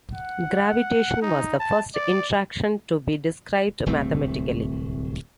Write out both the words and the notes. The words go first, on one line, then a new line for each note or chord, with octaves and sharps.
Gravitation was the first interaction to be described mathematically.
F#5
D#4
A5
D5
D1 C2 A3 C4